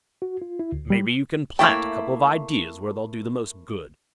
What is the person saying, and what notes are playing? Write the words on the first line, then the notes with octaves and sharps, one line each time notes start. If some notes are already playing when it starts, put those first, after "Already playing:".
Maybe you can plant a couple of ideas where they'll do the most good.
F#4
F4
E4
D2
G3
A3 A#3 E4 C#5 E5 G5